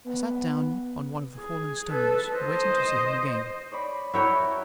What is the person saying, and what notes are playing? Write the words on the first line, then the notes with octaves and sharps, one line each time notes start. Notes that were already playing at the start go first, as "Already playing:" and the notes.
I sat down on one of the fallen stones, waiting to see him again.
B3
G#4
A4 B4
C5 D#5
C#5 D5 B5
E4 F#4 A#4 C#5 G5